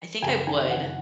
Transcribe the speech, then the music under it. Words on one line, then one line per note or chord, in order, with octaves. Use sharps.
I think I would,
F#1 G#5
D#3 G#5
F#1 F#5